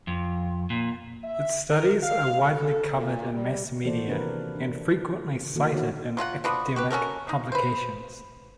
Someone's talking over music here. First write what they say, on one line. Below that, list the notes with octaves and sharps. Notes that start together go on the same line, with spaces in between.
Its studies are widely covered in mass media and frequently cited in academic publications.
F2
A#2
E5
A#4
F5
A4
A#2
G3
E3 A#3 F#4 A4 C5 D5
C3 D#3 D4 G4 A#4 B4
D4
D#3 E3 A3 A#3 F#4 A4
D4 D#4 F#4 C#5 E5
F#3 F4 A4 F#5
F3 B3 D4 F#4
F#4 G4 B4
C#4 F#4 A4 A#4
D#4
B4 C5